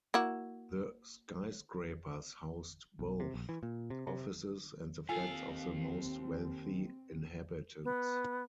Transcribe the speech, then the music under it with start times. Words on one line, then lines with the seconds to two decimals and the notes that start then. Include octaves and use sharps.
The skyscrapers housed both offices and the flats of the most wealthy inhabitants.
0.14 A#3 E4 F#4
2.99 B1
3.20 C3
3.34 A#1
3.49 E3
3.63 A#2
3.90 C3
4.07 C3
5.09 D#2 C4 F4 A4 F5 G#5
7.84 B3